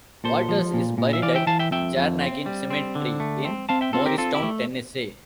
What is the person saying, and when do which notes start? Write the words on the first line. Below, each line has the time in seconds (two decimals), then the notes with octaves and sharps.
Walters is buried at Jarrnagin Cemetery in Morristown, Tennessee.
0.24 A#2 A4 C5
0.49 F3
0.74 A#2
0.98 A#2
1.13 E5
1.22 E3 D5 F5
1.35 E5 G5
1.47 E3 F5 A5
1.59 E5 G5
1.71 F2 E5 G5
1.97 F2
2.21 C4
2.46 G3
2.70 C4
2.95 D3
3.20 A3
3.45 C4
3.69 C4 F5 A5
3.81 E5 G5
3.93 C4 F4 A4
4.06 G4 A#4
4.18 C4 F4 A4
4.34 E4 G4
4.43 A3